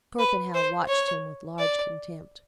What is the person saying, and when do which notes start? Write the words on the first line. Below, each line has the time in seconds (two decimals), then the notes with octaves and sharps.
Torpenhow watched him with large contempt.
0.19 B4
0.54 C5
0.88 C#5
1.59 D5